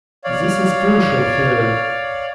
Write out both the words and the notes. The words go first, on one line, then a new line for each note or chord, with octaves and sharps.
This is crucial here.
C#5 D5 F5